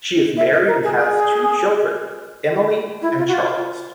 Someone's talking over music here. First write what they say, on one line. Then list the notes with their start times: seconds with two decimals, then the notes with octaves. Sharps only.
She is married and has two children, Emily and Charles.
0.37 E5
0.52 D#5
0.67 A#4
0.83 G#4
0.99 G#4
3.01 E4
3.17 F4
3.27 F#4
3.33 F4